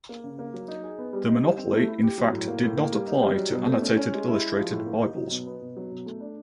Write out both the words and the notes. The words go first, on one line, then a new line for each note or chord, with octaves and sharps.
The monopoly in fact did not apply to annotated or illustrated Bibles.
A#3
C#3
A#3
F#3
D#4
G#4
B3
G3
D#4
G3
C4
A3
E4
G4
F#3
A2
A#3
A2
A#3
G3
D#4
G3
F#3
B2
A3
C#4
C#4
G#3
E4
G#3
F3
A2
A#3
D#4
F#3
B2
B3
B2
F#3
B2
A3
D4